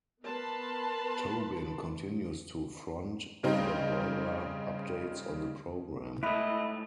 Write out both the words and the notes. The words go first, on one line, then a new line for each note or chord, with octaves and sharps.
Tobin continues to front the weather updates on the programme.
B3 A#4 B4 A5 B5 C6
G2 C#3 C4 D#4
G#2 A3 E4 D#5 E5 B5 F#6